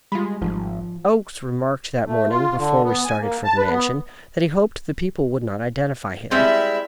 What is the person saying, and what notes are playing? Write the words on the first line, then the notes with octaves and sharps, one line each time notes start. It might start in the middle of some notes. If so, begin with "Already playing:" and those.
Oakes remarked that morning, before we started for the Mansion, that he hoped the people would not identify him.
G3 G#3 F4 B5
G#1 G#2 F3
A3
F4
D3
B3
G#5
A#3
A5
B4
B3
G3 G#3 C4 E4 E5